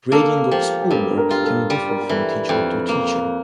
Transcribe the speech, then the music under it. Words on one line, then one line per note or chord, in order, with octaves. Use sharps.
Grading of schoolwork can differ from teacher to teacher.
A#3 A4
F3 G4
G4
G2 A4
A#4
F4 G4
A4
G3 G4
A#4
G4
E3 A4
F2 G5
A#3